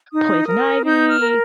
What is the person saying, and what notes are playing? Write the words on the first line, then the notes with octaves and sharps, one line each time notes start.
poison ivy,
D#4 D#6
A#4
D#4 G6
F6
A#4